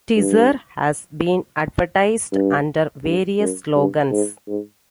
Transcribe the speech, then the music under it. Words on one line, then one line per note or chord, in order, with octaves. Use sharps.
Tizer has been advertised under various slogans.
G2
G2
G2
F#2
G2
G#2
G#2